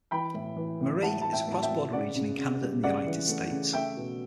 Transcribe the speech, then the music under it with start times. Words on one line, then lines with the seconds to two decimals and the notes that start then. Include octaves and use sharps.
Marie is a cross-border region in Canada and the United States.
0.11 E3 G5 B5
0.34 A2
0.56 E3
0.80 A2
1.02 A2 F#5 A5
1.22 A2 A5
1.32 E5 G5
1.47 A2
1.52 A5
1.62 E5 G5
1.70 A2
1.93 C#3 D5 F#5
2.15 C#3
2.37 C#3
2.61 G3
2.83 C#3 D5 F#5
3.06 E3
3.29 A3
3.51 C#3
3.73 A3 E5 G5
3.97 B2